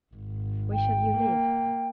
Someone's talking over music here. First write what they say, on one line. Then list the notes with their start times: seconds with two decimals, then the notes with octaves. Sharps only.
Where shall you live?'
0.14 G#1
0.73 G5
1.17 A#3